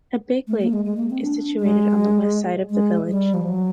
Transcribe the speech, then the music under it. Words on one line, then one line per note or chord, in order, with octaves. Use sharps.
A big lake is situated on the west side of the village.
A3
A#3
G#3
G#3
A#3
C4
D4
G#3
G#3
G3
F3
F#3